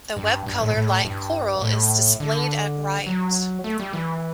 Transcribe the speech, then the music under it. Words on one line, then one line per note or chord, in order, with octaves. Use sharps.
The web color light coral is displayed at right.
G2
G2
A2
A2
G2
A2
D3
F#3
A3
G3
E3